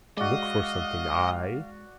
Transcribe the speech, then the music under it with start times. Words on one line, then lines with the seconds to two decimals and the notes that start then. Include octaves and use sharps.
Look for something I.
0.17 G#3 F#4 D5 D#5 F5